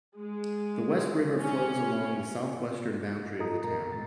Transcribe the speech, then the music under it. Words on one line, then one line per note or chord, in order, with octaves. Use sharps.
The West River flows along the southwestern boundary of the town.
G#3
C#4
F4 A4 D#5 A#5 D#6
F#2 A#2 A#4 A#5
G#2 G#3 A6